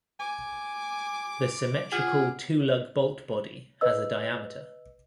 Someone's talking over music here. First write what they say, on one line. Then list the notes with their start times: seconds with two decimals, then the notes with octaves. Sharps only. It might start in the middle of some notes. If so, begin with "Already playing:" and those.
The symmetrical two-lug bolt body has a diameter.
0.20 G#5 D6
1.92 F4 G#4 F#5
3.81 B4 D#5 E6